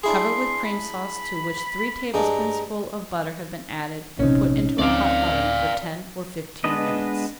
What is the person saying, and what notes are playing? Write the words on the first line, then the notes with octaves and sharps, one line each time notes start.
Cover with Cream Sauce to which three tablespoonfuls of butter have been added, and put into a hot oven for ten or fifteen minutes.
D4 E4 G#4 C6
B5
G2 G#3 D4 A#5
A#1 C3 C#4 D#4
D2 F3 C4 D5 F5
G#3 B3 D4 B4 D#5